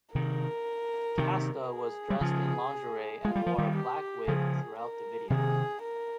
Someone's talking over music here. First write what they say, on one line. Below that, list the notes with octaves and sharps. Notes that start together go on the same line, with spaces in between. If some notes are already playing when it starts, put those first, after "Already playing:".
Casta was dressed in lingerie and wore a black wig throughout the video.
C3 D#3 A#4
C3 D#3
G#4
G3
C#3 F3
G#3 F4
G3
F3
D#3 G3
G4
C#3 F3 G#4
A#4
C3 D#3 G#4
A#4